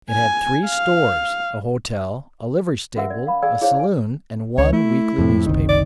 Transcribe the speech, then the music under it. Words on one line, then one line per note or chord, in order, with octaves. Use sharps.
It had three stores, a hotel, a livery stable, a saloon, and one weekly newspaper.
G#5
F5
C#4 F#4 A#4 E5 F#5 E6
D5
F5 B5
G#4 D5 F5 G5 G#5 E6
E4 G#4 C5 C#5 F5
D5 G#5
C#2 C#5
A3 E4
F2 A2
F#1 C2 D#3
D5